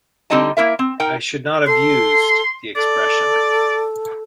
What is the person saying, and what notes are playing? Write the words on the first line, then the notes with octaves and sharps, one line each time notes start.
I should not have used the expression.
D3 G3 C4 D#4 D#5 A5
A#3 E4 A#4 E5
C4
D#4 A#4 G5
A4 C6
A4 D5